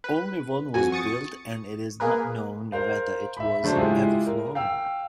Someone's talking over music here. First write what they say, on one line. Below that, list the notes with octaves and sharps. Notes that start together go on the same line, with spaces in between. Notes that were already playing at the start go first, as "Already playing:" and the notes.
Only one was built and it is not known whether it was ever flown.
B4
F2 F#4 G#5
C#6 D#6 A6 C#7
A#3 G#4 A#4 B4
A#4 C5 F5
E5 B5
C#3 F#3 A3 D4 A4 C5
G#3 E4 F4 G4 G#4
A#4
F5 G5 E6